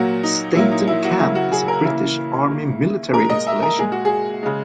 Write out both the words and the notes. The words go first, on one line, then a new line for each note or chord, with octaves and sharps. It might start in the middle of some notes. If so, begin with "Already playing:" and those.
Stainton Camp is a British Army military installation.
Already playing: A#2 F#3 A#3 F#4
D#4
A#2 F#3 A#3 E4
D#4
E4
F#4
C#3 F#3 A#3 E4
F#4
G#4
A#4
C#3 E3 A#3 E4
D#3 A#3
A#2 G#3 A#4
D#5
E5
A#4
A#2 G#3 G#4
F#4
G#4
C#3 G#3